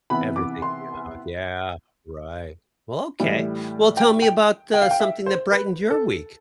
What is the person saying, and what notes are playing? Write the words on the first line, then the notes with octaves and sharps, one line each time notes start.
Everything, yeah, yeah, right. Well, okay. Well, tell me about, uh, something that brightened your week.
C3 E3 B3 B5
D6
C6
A2 E3 G3
G5
G5
G5
F5
G5
E5
C5
B4
A4